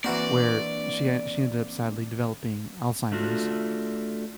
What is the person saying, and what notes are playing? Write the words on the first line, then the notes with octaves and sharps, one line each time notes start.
where she e she ended up sadly developing Alzheimer's.
E3 A#3 C4 D4 F#4 D5 A#5
A3 D4 F4 F#4